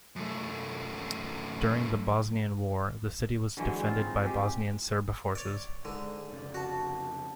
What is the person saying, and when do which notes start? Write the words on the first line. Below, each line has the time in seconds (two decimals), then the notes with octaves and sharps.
During the Bosnian War the city was defended by Bosnian Serb forces.
0.16 F#2 A3
3.57 D3 E3 F#3 G#3
3.82 C4 F4
4.00 D#4
4.24 G#3 G4
5.35 C#5 D5
5.85 G#2 D3
6.30 F1 C#3 D5
6.54 F#4 F#5 A5